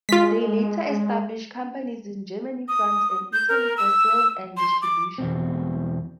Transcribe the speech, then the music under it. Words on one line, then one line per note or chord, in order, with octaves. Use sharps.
They later established companies in Germany, France and Italy for sales and distribution.
G#3 F4 B6
D#6
G6
A#4
E6
C6
D6
E2 B2 C4